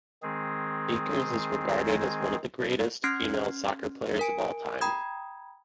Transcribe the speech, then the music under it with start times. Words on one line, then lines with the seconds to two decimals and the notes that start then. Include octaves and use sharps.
Akers is regarded as one of the greatest female soccer players of all time.
0.23 D#3 G#3 C4 G#4
3.04 C#4 C6 F6 F#6 G#6 C7
4.19 A#4 G#5 D7
4.81 G5 A#5 B5 D#6 G#6